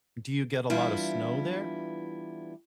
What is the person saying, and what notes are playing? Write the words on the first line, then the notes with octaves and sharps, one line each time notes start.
do you get a lotta snow there?
E3 G3 B3 D4 E4 F4